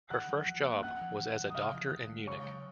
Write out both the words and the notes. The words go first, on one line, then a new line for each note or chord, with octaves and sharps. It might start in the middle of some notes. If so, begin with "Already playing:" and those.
Her first job was as a doctor in Munich.
D#3 F#5 F#6
F#3
F3
A#3
C#4 F#5 F#6
F3
D#3
F#3
D#6
C#3 F5 F6
F3
D#3
G#3
C#3 C#5 C#6
F#3